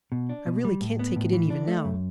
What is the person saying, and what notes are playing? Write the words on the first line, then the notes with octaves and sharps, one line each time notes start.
I really can't take it in even now....
B2
D4
B2
G3
A2
B3
A2
E3
D4
A3
F#2